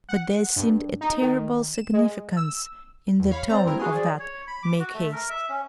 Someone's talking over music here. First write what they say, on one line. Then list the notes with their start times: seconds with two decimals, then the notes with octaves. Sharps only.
But there seemed a terrible significance in the tone of that "make haste."
0.09 F#5
0.56 G2
1.01 D#4
1.22 D#3
1.74 E7
1.93 G#3
2.37 E6
3.20 E2
3.31 C#5 F5 B5
3.50 C4 D5 A#5
3.65 G2 C4 E4 A#4
3.80 F4 F#4 G#4 C6
3.94 F3 D5
4.19 C#5
4.48 B5
4.63 D6
4.79 F#4
4.94 A3
5.12 A#4
5.29 E5
5.49 C#4